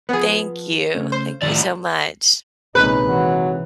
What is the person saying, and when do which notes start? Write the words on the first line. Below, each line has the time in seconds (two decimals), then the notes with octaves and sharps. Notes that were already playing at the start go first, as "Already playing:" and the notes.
Thank you. Thank you so much.
0.09 F3 B3 G#4 B4
0.95 C#3 A3 C#4
1.12 C5
1.42 F2 A2 D#3 F3 G3 D5 A6
2.75 A#1 C3 D#3 G#3 C#4 D#4 B4
3.09 E3 F#3